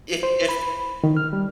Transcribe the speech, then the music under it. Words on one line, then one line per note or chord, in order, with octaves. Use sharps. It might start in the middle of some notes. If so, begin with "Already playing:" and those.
if if
C5
B5
D#3
F6
G3